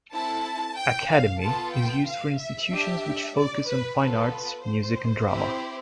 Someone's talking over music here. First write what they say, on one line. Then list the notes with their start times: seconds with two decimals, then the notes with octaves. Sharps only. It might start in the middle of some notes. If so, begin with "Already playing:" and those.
"Academy" is used for institutions which focus on fine arts, music and drama.
0.14 C4 E4 A4 A5
0.79 G5
1.10 F5
1.42 B3 F4 A4 A5
1.75 G5
2.07 F5
2.39 E5
2.71 D4 G4
3.36 D5
3.68 B4
3.99 B3 F4 A4 B4
4.64 C5
5.29 C4 E4 G4